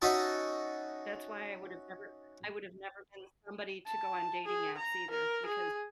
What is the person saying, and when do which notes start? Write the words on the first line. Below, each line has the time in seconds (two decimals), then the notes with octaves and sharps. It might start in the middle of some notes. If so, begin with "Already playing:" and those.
That's why I would've never I would've never been somebody to go on dating apps either because
0.02 C#4 D#4 F#4 D#5 E5 A5
3.86 A5
4.46 G#4
4.77 A#5
5.10 A#4
5.46 G#4